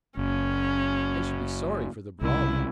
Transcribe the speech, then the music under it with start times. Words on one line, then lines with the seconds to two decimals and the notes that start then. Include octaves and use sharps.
"I should be sorry for the brawler."
0.17 F#1 C#4
2.21 C2 C#3 E4